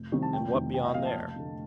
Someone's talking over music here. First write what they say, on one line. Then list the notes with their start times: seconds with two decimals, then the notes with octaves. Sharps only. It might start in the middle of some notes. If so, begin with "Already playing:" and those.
"And what beyond there?"
Already playing: F1
0.12 F2 C3 D#3 G3
0.22 A5
0.33 F1 G5
0.54 F2 C3 D#3
0.74 C2 G5
0.85 D#5
0.94 A#2 F3 A#3 F5
1.06 A5
1.15 F1
1.36 F2 D3 A3